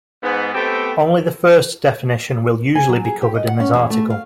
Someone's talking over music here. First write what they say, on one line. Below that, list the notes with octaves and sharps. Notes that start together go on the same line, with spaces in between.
Only the first definition will usually be covered in this article.
G#2 B3
A3 B3 C4 G4 A4 G5
G#5
F#3
G#4
G4
D#5
F#5
C#4
E2
A3
F5